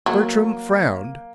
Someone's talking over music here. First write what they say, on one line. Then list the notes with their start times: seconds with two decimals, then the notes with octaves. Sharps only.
Bertram frowned.
0.06 F#3 A#3